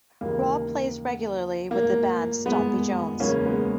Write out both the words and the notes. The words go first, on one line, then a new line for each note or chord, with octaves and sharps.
Rob plays regularly with the band Stompy Jones.
D#2 C#3 E3 A#3
A#3
G#3 B3
E2 C#3 E3 A#3 C#4
G#3 B3